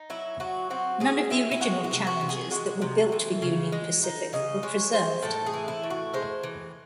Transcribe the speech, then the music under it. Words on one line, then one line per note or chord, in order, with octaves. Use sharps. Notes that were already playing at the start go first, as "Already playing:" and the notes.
None of the original Challengers that were built for Union Pacific were preserved.
Already playing: D#4
F#3 E4
F#3 F#4
C4 F#4
F#3 G#4
C4 E4
E4
G#3 F#4
F#4
C3
F#4
C3
G#4
G#3 F#4
C3
E3
C#3
G#3
D#4
C#3 D#5
G#3 C#5
G#3 C5
A2 A4
G#4
E3
E4
A2
F#4
G#3 C5
E3